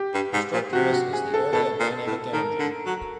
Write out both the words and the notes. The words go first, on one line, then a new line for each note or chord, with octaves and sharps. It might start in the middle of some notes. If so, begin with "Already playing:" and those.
Destructiveness is the area of dynamic energy.
Already playing: G4
G2
G#2
A#2
C3 F#4
F#4
G#4
A4
B2 A4
A#2
A2
D#3 A#4
D3
F#3